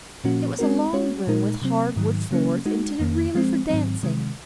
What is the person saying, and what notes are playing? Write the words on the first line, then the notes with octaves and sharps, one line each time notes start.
It was a long room with hard wood floor, intended really for dancing.
A#2 F3 A#3 C#4 F#4
G#3 C4 F#4 A#4
G#3 C#4 F#4 C#5
A#2 G#3 D#4 A#4
C3 F#3 C4
G#2 D#3 F#3
C#3 F#3 A#3 C#4
G#3 D#4 F#4
F2 D#3 A#3
F3 G#3 C4
G#2 D#3 F#3 C4
C3 D#3 G#3